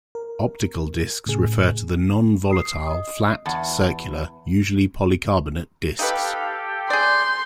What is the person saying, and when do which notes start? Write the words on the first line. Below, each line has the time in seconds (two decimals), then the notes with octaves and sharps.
Optical discs refer to the non-volatile flat, circular, usually polycarbonate discs.
0.15 A#4
1.26 A2 C#3 G#4
2.51 D#6 C7
2.87 D#5 D#6
3.46 E2 F#5 A5
5.99 D#4 G4 A4 B4 F5 G5
6.90 G#4 D5 C6 G6